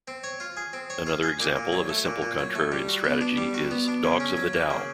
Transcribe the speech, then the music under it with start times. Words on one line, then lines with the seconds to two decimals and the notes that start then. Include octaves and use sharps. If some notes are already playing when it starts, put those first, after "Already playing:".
Another example of a simple contrarian strategy is Dogs of the Dow.
0.08 C4
0.24 C#5
0.40 F4
0.57 G#4
0.73 C4
0.90 C#5
1.06 F4
1.23 G#4
1.40 A#2
1.56 A#2
1.72 F#3
1.89 A3
2.05 A#2
2.22 A#2
2.39 F#3
2.55 A3
2.72 G3
2.89 F#4
3.04 B3
3.21 D4
3.37 G3
3.54 F#4
3.71 B3
3.88 D4
4.04 C#3
4.20 C#4
4.37 F#3
4.53 A#3
4.70 C#3